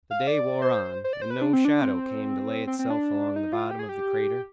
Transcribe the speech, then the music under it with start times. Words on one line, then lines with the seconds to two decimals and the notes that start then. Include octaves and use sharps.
The day wore on, and no shadow came to lay itself along the bottom of the crater.
0.11 F5
0.27 D5
0.62 C5
1.04 C5
1.13 D5
1.22 C5
1.30 B4
1.42 D4
1.53 C4
1.65 D4
1.82 C4
2.67 C4
2.79 C4
2.90 D4
3.36 D#4
3.53 F4
3.71 G4
3.79 G#4
3.89 G4